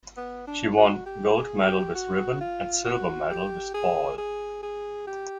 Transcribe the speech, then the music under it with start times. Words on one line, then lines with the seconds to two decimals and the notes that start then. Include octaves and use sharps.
She won gold medal with Ribbon and silver medal with Ball.
0.17 B3
0.47 D4
0.77 F#4
1.06 G4
1.36 G#4
1.66 G4
1.95 F#4
2.40 F4
2.84 F#4
3.30 G4
3.74 G#4
4.18 G#4
4.63 G#4
5.07 G4